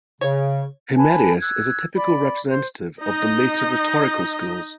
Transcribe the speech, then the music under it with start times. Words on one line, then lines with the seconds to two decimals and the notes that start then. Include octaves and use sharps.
Himerius is a typical representative of the later rhetorical schools.
0.21 C#3 C#5
0.97 B4 G#5 A5
1.42 E6 F#6 G#6
1.96 D5 B5
2.49 C5
3.02 D#4 D#5